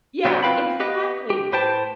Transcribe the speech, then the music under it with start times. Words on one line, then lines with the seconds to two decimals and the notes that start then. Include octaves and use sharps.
Yeah, exactly,
0.25 C3 F#3 G3 B3 C4 D4
0.43 C4 F4 B4 F5 G5 B5
0.80 B3 G4 B4 D#5
1.30 G4
1.52 A2 B4 C5 G5 A5